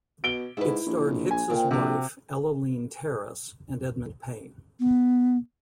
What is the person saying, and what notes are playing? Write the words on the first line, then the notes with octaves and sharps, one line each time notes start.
It starred Hicks's wife, Ellaline Terriss and Edmund Payne.
B2 D7 G7
G#2 E4 B4
A#1
G#5
A#2 C4
A#1 C3 F#4 G4
B3